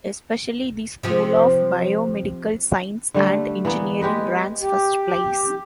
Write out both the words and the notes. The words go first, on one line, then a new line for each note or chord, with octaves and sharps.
Especially the School of Biomedical Science and Engineering ranks first place.
C3 F3
D3 G3 A3
E3 A#3 B3
G#3 G4 B4 D#5
G4